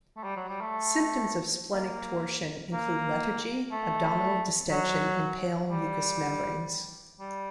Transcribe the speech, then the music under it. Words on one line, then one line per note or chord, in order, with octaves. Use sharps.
Symptoms of splenic torsion include lethargy, abdominal distension and pale mucous membranes.
A3
G3
F#3
G3
A3
A#3
A#3
A3
F#3
G3
G3